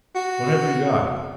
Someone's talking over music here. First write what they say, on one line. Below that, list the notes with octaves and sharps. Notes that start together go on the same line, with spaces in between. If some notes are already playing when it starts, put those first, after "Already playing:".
"What have you got!"
F#4